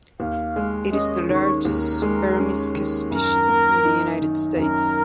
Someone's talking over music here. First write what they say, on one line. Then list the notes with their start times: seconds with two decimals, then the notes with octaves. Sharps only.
It is the largest "Peromyscus" species in the United States.
0.20 D#2 F5
0.56 G#3
0.93 C#4 D#5
1.29 D#3 C#5
1.65 D#2 A#4
2.02 G#3
2.39 C#4
2.75 D#3
3.11 F#2 A#4
3.48 A#3
3.85 D#4
4.21 D#3
4.56 F#2 A#4